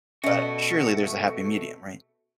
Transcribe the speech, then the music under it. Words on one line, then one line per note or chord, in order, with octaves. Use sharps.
But surely there's a happy medium, right?
B2 A3 C#4 F#4 D5 D#5